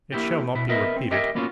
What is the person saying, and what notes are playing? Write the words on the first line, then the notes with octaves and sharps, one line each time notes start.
'It shall not be repeated.
A#3 E4 G4
B2 E4
B3 A#4 B4 D#5 E5
C4
G4 A#4 D#5 E5 G5
A#3 B3 C#4 F4 F#4